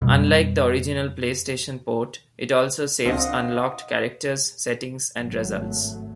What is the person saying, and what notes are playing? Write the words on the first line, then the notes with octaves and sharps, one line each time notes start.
Unlike the original PlayStation port, it also saves unlocked characters, settings and results.
F2 B2 G3
C#2 C4 D4 F4 D#5 F5 F#5
G#1 F#3 A3